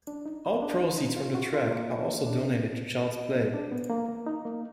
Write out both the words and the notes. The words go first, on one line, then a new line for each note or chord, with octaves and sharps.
All proceeds from the track are also donated to Child's Play.
D4
D#4
D4
D#4
D#4
F4
F#4
F4
A#3
D4
B3
B3
D4
B3
A#3
A#3
D#4
A#3